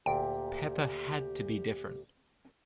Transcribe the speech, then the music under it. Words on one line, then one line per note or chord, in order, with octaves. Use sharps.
Pepper had to be different.
D2 A#2 G4 G5